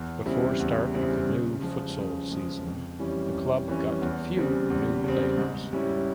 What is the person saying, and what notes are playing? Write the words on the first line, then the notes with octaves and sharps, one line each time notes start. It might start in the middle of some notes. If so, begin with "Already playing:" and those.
Before start of the new futsal season the club got few new players.
Already playing: E2
C#3 G3 C4 E4
E2
C#3 G3 C4 E4
C#3
F3 G#3
C#3
F3 G#3
F2
E3 G3 C#4
F2
E3 G3 C#4
E2
C#3 G3 C4
E2
C#3 G3 C4
G#2
G3 C#4 E4